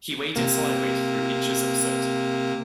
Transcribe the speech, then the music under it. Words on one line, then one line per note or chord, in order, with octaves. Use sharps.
He waded sideways through inches of soot.
C3 A#3